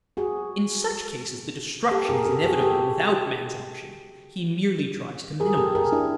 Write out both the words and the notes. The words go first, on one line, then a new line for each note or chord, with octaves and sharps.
In such cases the destruction is inevitable without man's action; he merely tries to minimize it.
F#4 G#4
G4 A4
G#4 A#4
G4 A4
F#4 G#4
G4 A4
G#4 A#4
G4 A4
G#4 A#4
D4 E4